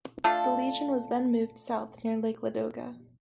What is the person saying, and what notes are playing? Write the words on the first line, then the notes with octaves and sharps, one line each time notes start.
The Legion was then moved south near Lake Ladoga.
A3 D4 F4 A4